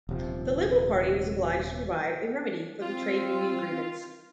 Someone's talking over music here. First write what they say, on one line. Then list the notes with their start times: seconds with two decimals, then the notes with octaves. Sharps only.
The Liberal Party was obliged to provide a remedy for the trade union grievance.
0.09 D#1 C3 F3
2.82 C4 F4